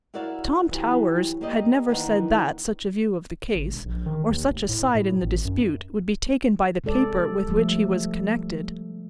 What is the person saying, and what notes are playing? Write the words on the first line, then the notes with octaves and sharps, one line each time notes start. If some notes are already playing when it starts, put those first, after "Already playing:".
Tom Towers had never said that such a view of the case, or such a side in the dispute, would be taken by the paper with which he was connected.
E4 F#4 A#4 D5 E5 F5
E3 F#3 F4 G4
A#3 G4 D5 D#5
D#3 E3 A#3 B3 D4 D#4
G1
E1
A#1
D#3
D#2
F1
A2
A2
G#1
F#2
C3 G#3 A4 D5
F3 G3 A3